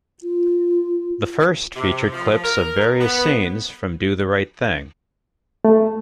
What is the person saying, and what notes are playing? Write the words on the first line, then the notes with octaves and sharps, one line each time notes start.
The first featured clips of various scenes from "Do the Right Thing".
F4
C3
F3
A#4
B3
A3